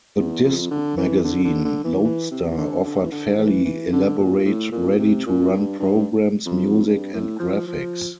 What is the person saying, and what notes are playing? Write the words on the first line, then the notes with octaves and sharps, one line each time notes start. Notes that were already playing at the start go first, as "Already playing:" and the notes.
The disk magazine "Loadstar" offered fairly elaborate ready-to-run programs, music, and graphics.
E2
F2
D3
E3
D3
D3
D3
E3
E3
C3
E3
D3
D3
E3
D3
E3
E3
D3
A#2
A2
A#2
C3
A#2
G2
G2
F2
G2
A2
F3
F3